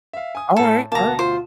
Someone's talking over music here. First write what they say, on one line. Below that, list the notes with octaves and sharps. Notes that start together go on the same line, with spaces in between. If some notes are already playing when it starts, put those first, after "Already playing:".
Alright, alright.
E5 F5
G#5 D#6
A2 A4 G#5
D2 B2 A#3 A5 A#5
F4 C5